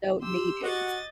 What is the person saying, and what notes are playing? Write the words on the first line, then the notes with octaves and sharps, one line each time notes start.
Don't need it.
G4 C6 E6
F#4 D#5 A6